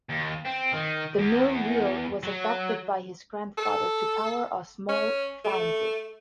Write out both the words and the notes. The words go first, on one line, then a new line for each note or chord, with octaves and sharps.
The mill-wheel was adapted by his grandfather to power a small foundry.
D#2
C4
D#3
E2
F#3
A4
C#4
A3